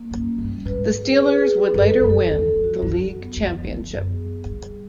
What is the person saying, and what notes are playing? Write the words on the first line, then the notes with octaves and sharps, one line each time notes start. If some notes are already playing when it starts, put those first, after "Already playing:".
The Steelers would later win the league championship.
Already playing: A#3
F#2 C#4
C#4
G2
G3
G#2 B4
B4
G#4
B4
G#4
B4
G2 A4
A4
F#2
A4
E2 A4
A4
F2
F#4
F#2 F#3
F#3
B3
F2 F#3
B3
E2
F#3
F#2 B3
G#4
B3
G2 G#4
G3